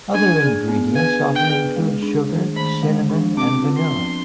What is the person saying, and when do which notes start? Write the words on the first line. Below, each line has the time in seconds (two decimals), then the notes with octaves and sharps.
Other ingredients often include sugar, cinnamon, and vanilla.
0.14 D4 G#5
0.42 G#4
0.68 B3
0.95 B4 G#5
1.22 D4
1.35 G5
1.49 G#4
1.76 G#3
2.02 D4
2.29 D#3
2.56 D#3 B5
2.83 G#3
3.10 D4
3.37 C4 D6
3.63 F4
3.77 C6
3.91 F3